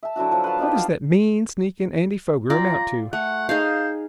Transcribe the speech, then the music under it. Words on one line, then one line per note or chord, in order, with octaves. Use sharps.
What does that mean, sneaking Andy Foger amount to?
E5 A5
D3 F#3 E4 F#4
F3 F#3
B4 F5 A5
B3 D#4 F4 G4
F4 F#5
F4 D5 G5 A#5
A3 F#5
D#4 G#4 C5 F5